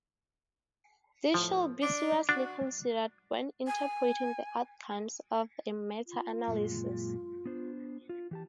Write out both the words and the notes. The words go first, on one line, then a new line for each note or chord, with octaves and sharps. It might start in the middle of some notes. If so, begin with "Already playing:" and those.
This should be seriously considered when interpreting the outcomes of a meta-analysis.
A2 F3
D4
D4 F#4
G#5
F4
F#2 A#2 G#3
B3 D4 C5
F4
E3 G4 A5